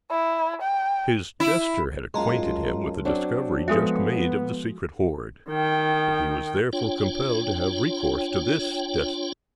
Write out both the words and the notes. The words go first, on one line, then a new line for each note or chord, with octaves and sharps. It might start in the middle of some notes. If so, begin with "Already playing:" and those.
His jester had acquainted him with the discovery just made of the secret hoard, and he was therefore compelled to have recourse to this desperate move.
E4
G5
E4
F#2 G#3 F4 A5 A#5 C6
F#3 C4 D4
F3 G#3 B3 F#4 A4 E5
D#3 G5
D4 F4 C#5 G5